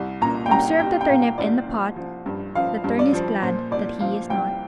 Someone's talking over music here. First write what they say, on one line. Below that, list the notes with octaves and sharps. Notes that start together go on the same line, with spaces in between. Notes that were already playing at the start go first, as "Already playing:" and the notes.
Observe the Turnip in the pot. The Tern is glad that he is not!
Already playing: C2
A#2 A#5
G5
C2 A#5
G3 G5
G5
A#2 F5
C2 D5
F3
F3
G2
F3 F5
G2
D5
F3
A#2 C5
C2 D5
F3 F5
C2 G5